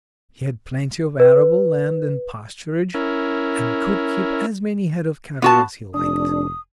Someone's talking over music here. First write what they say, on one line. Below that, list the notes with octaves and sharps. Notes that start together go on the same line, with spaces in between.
He had plenty of arable land and pasturage, and could keep as many head of cattle as he liked.
B4
C#4 E4 A#4
B3 F4 F#4 A5
F1 D4 D#6